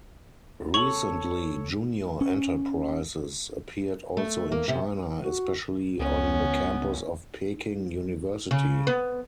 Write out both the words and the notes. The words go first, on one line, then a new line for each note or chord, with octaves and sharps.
Recently, junior enterprises appeared also in China, especially on the campus of Peking University.
A4 C#5 C#6 F7 F#7
C#4
A3
A#3
C3
F#4
C#2 B3 C#4
C#3
B3